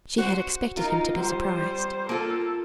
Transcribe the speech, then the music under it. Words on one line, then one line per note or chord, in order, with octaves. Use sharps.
She had expected him to be surprised.
F#4 C5
D#4 F4 A#4
G3 C5
A#3 F4 A4